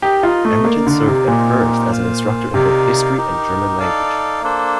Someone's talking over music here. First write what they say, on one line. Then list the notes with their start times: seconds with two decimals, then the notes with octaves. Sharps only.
Emerton served at first as an instructor in both History and German language.
0.02 D#4 G4 A#4 D#5
0.23 F4
0.45 A3
0.65 A#3 D#4 A#4 D5 F5
0.86 D3
1.07 C3
1.28 A#2 C4 D#4 G4 A#4
1.91 F4 C5 F5
2.54 C3 D#4 A#4 D5 F5
3.17 D#4 G4 A#4
3.80 D#4 A4 D5 F5
4.42 A#3 D4 A4 C5